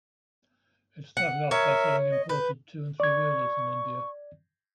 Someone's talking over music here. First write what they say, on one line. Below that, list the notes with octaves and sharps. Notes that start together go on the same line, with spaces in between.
It started off by selling imported two- and three-wheelers in India.
F#5
A#4 C#5 E5
D#5
B4 G6
D5 C#6 G#6